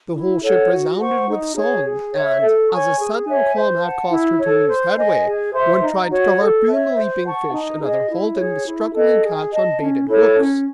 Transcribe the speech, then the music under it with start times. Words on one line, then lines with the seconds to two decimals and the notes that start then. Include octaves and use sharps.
The whole ship resounded with song and, as a sudden calm had caused her to lose headway, one tried to harpoon the leaping fish, another hauled in the struggling catch on baited hooks.
0.14 E4
0.43 A4 C#5 F#5
0.70 F#4
1.00 C5 F#5 C#6
1.28 D#4
1.56 G#4 C#5
1.85 G#4
2.13 C#5 E5
2.41 A4
2.70 C#5 G#5 C#6
2.99 G#4
3.26 C#5 E5 G#5
3.55 C5
3.83 F#5 A5
4.11 E4
4.40 A4 C#5
4.68 C5
4.97 D#5 G#5
5.26 G#4
5.53 C5 E5 C6
5.82 D#4
6.11 F#4 C#5 F#5
6.39 A4
6.67 C#5 E5
6.95 C5
7.25 F#5 A5 C#6
7.52 D#4
7.81 G#4 D#5
8.09 E4
8.37 G#4 C#5
8.66 E4
8.94 A4 D#5
9.23 G#4
9.51 D#5 A5
9.80 C#4
10.08 E4 A4 C#5
10.36 C#4